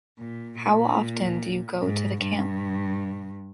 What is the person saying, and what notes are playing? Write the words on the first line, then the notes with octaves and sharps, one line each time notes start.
How often do you go to the camp?
A#2
A#2
G#2
G2